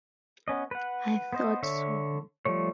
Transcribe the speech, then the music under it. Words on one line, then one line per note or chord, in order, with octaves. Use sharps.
I thought so.
B3 C#4 D#5
B4 F#5
B3 C5 D#5
D3 C#5 E5
F3 G3 A3 C#5